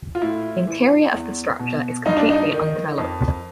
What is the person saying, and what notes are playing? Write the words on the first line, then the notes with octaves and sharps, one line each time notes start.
The interior of the structure is completely undeveloped.
F4
A2 E4
E3
E2
B2
G2 D#4
D4
D#4
D#3
F2